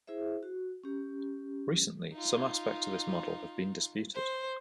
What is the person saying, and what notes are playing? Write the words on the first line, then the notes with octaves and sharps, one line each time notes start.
Recently, some aspects of this model have been disputed.
E4 G#4 C5 E5
F#4
C#4 G4
D#4 F4
C5